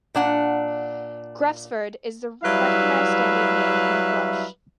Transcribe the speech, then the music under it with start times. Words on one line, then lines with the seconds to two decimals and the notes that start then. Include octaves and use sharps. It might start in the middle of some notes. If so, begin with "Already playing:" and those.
"Gresffordd" is the recognised standard name in Welsh.
0.15 A#2 D4 F#5
2.43 F#3 G3 E4 B4 E5 F5